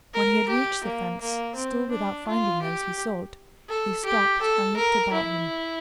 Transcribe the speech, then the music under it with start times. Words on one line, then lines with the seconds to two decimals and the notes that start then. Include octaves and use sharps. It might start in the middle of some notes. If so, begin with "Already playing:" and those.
When he had reached the fence, still without finding those he sought, he stopped and looked about him.
0.13 A#4
0.48 G4
0.84 A#3
1.20 A#3
1.55 C4
1.90 D4
2.27 F4
2.62 G4
3.69 A4
4.05 G4
4.41 A4
4.76 A#4
5.12 E4